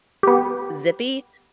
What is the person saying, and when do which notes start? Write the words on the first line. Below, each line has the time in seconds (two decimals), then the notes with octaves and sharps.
eh, zippy.
0.23 B3 G4